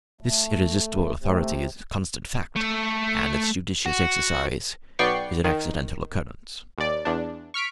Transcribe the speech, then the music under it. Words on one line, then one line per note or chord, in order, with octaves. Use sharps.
This irresistible authority is a constant fact, and its judicious exercise is an accidental occurrence.
A3
C3 A3
A3
F#4
B1 B3 D5 G5 C#6 C7
D#3
D#2 D5
E2 D4
C#6 F6 B6 D7